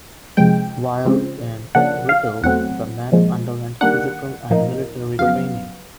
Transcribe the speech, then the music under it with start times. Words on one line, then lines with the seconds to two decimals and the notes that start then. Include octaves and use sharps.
While in Writtle the men underwent physical and military training.
0.37 F2 C3 F3 G#3 G5
1.05 C#3 F3 G#3 C4
1.75 C#3 F3 A#3 D4 F#5
2.09 F5
2.43 E2 B2 F#3 A3 C4 F#5
3.12 A#2 F3 G#3
3.81 D#3 G3 A#3 D4 F#5
4.50 A2 F3 A#3 D#4
5.19 F2 C#3 F#3 B3 F5